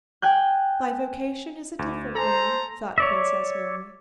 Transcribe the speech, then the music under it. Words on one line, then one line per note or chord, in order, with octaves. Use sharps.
"My vocation is a different one," thought Princess Mary.
G5 G#5 F#6 G6
D2
A4 C5 G#5 A#5
C#5 D5 E5